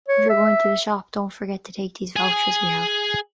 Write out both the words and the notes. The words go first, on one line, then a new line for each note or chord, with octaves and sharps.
If your going to the shop don't forget to take those vouchers we have.
C#5
E5
G#4 G#5